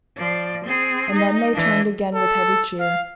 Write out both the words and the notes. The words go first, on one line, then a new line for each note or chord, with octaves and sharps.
And then they turned again with heavy cheer.
F3 D5
C4 G#4
D#4
E3 D4
A4
F5